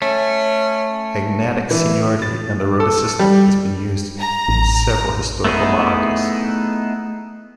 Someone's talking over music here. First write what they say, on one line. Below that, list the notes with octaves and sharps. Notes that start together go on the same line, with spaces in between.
Agnatic seniority and the rota system has been used in several historical monarchies.
A3 C#4
E3
A6
A4
G3
A#5
A1
A3 B3 D#4 E4 G#4